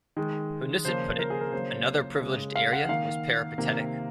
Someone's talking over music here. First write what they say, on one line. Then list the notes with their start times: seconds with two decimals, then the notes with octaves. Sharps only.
Hunnisett put it, Another privileged area was peripatetic.
0.17 D#3 G#3
0.85 C#3 F3 A#3 C5
1.19 A#4
1.30 G#4
1.41 A#4
1.52 C#3 F#3 A#3 C5
2.21 C#3 G#3
2.56 F5
2.73 F#5
2.89 D#3 A#3 F5
3.58 C3 D#3 A#3